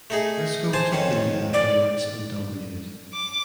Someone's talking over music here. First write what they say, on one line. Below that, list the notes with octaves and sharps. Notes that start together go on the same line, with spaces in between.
Briscoe took the lead afterwards and dominated.
A3 D#4 G#4
C5 G#5 A5
F2 D#3 C#4
D5
D6